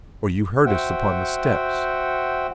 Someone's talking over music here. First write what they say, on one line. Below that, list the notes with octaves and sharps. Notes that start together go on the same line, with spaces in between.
Or you heard us upon the steps?
F#4 C5 E5 F#5 G5